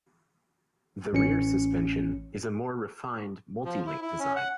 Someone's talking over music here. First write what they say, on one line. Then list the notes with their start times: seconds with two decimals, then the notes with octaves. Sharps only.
The rear suspension is a more refined Multi-link design.
1.13 A1 C#4 C#7
3.65 F3
3.87 E4
4.02 E4
4.20 C#4
4.36 F#5